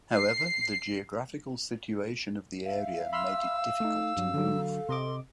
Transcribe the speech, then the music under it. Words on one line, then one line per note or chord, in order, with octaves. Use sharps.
However, the geographical situation of the area made it difficult to move.
C7
E5 F5
B5 C6 E6 F6
A3 D#4
G2 F#3
D3 F#3 A4
C3 D#5 C6 D6